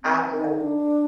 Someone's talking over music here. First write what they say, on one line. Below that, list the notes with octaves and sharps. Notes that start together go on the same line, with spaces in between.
act like
C4
D#4
D4